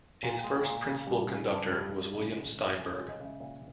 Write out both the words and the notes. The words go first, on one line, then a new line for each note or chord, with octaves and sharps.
Its first principal conductor was William Steinberg.
A#2 G#5
G5
G#3
G5
A#2 A#5
C#3 G#5
G3
C#3
G2
G3
G2
C#3
G#3
C#3
C#3 G#5
C#5
G#3
D#5
C#3
E5
A#2